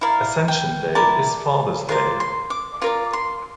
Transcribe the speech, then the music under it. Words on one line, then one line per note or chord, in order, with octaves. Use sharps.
Ascension Day is Father’s Day.
E4 A#4 D5 F5
G5
E4 A#4 D5 A5
F4 A#4 D5 C6
C6
D6
F4 A#4 D5 D6
C6